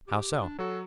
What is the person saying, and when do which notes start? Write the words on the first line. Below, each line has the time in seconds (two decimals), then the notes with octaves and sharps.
"How so?"
0.07 G4
0.41 D4
0.59 F#3 F#4 A4